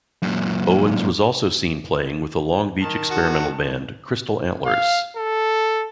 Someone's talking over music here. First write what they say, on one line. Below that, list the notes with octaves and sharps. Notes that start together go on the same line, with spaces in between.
Owens was also seen playing with the Long Beach experimental band Crystal Antlers.
F#2 A#2
D#3 A5
F#4
F5
A4